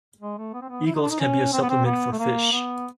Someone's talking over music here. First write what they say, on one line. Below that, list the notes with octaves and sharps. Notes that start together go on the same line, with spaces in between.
Eagles can be a supplement for fish.
G#3
A3
B3
C4
B3
E4
D#4
D4
D#4
C#4
C4
B3
C4
B3
A3
A#3
B3